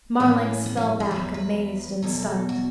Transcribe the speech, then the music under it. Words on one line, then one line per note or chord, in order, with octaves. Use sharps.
Marlanx fell back amazed and stunned.
A2 E3 C#4
B3
C#4
A4
E2 B2 F#3 B4
B4
E2 B2 F#3 A4
F#4